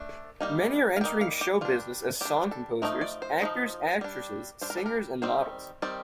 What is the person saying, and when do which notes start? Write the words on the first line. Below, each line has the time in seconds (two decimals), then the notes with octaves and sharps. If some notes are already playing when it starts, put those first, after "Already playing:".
Many are entering show-business as song composers, actors, actresses, singers, and models.
Already playing: A3 D4
0.41 G3 A#3 D#4
0.96 F5
1.01 G3 G5
1.04 A#3 D#4
1.21 F5
1.41 G4
1.61 G3 D4 F4
2.21 G3 D4 G4
2.51 A4
2.82 F3 A3 D#4 A#4
3.01 D5
3.22 C5
3.42 F3 A3 D#4
4.01 G3 D4
4.61 G3 D4 C5
4.70 A#4
4.77 A4
4.86 A#4
5.22 D#3 G3 C4 C5
5.82 D#3 G3 C4 D5